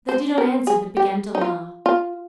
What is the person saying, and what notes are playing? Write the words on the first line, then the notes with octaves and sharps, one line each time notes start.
They did not answer but began to laugh.
C5
A#4
G#4
G4
D#4
F4
F4